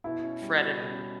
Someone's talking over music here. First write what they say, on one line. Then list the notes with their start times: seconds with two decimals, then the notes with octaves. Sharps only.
Fred and-
0.04 B2 E4
0.22 C#4
0.41 G3
0.58 F#4
0.76 B2
0.95 C#4